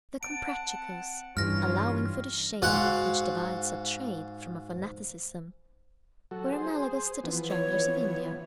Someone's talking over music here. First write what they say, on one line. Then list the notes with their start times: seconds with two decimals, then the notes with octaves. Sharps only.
The Comprachicos, allowing for the shade which divides a trade from a fanaticism, were analogous to the Stranglers of India.
0.23 C4 F#5 A5 D7
1.37 G2 E3 G3 C#4 F4 F6 A#6
2.62 G#2 F#4 F5 F#5 C6
6.31 F#3 F#4 A4
6.52 G#4 C5
7.24 E3 F3 B3
7.50 C#5